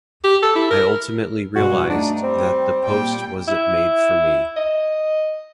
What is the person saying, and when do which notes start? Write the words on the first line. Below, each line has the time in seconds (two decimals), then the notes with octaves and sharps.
I ultimately realized that that post wasn’t made for me.
0.24 G4
0.43 A4
0.55 E4
0.70 A#4
1.55 G2 B2 G#3 F#4
1.90 A3 D4 D#4
2.23 G3 C4
2.85 A#2 G3 G5
3.48 E4
4.56 D#5